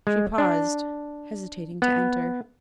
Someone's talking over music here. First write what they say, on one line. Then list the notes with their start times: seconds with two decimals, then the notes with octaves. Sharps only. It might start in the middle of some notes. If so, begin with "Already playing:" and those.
She paused, hesitating to enter.
0.07 G#3
0.38 D4
1.82 B3